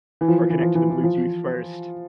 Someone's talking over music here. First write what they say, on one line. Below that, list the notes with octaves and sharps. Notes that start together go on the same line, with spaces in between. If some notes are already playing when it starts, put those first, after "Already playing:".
or connect to the Bluetooth first,
E3
F3
E3
F3
E3
E3
F3